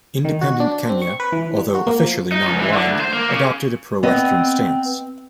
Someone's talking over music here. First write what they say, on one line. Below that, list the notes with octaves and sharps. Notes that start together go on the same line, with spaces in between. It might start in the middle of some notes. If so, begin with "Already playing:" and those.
Independent Kenya, although officially non-aligned, adopted a pro-Western stance.
D#3
F#4
D4
C4
C#6
B4
E3
G3
F#4
A#3
F3
D#4
C#2
E3
D3
D2
C5
A#3
C#3
B3 C4 D#5